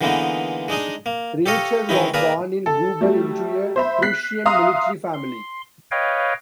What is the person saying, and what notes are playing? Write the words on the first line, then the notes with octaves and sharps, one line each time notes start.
Reuter was born in Guben into a Prussian military family.
D3 E3 G#3 A#3 B3 D#4
G#3 D4 D#4 G#4
A#3
G4 A4 C#5 D#5 F5
D#3 E3 G#3 C#4 D#4 E4
A#3 G#4 A#4 B4 D5
A4
F#3 G3 A3
C5 E5 B5
F#6 B6 C7
E5 F5 A#5 C6 D#6
C6
B4 C#5 D#5 F5 G5